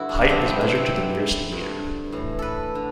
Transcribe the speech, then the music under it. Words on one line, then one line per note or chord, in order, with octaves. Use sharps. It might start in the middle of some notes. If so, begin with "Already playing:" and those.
Height is measured to the nearest metre.
Already playing: G2 D3 E4 F#4
D4
B3
F#2 E3 C4
B3
C4
E4
F#2 D3
G2 D3
A2 E3
A4 B4
D3